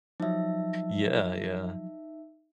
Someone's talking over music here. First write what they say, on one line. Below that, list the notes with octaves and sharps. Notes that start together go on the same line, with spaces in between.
Yeah, yeah.
F3 F#3 D#4 E5